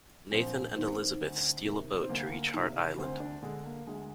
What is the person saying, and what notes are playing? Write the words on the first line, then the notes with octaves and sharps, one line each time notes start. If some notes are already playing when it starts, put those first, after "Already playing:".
Nathan and Elisabeth steal a boat to reach Hart Island.
A#1 C4
G#2 D#3 C4
D2
C3 D#3
C4
D2 A#3
C3 D#3
D2 C4
D4
D3 G#3
A#3
D2 G#3